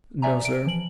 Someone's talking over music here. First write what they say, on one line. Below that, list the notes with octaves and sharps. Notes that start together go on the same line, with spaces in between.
"No, sir."
D5 E5 G#5 A#5
D7
E3 F3 F#7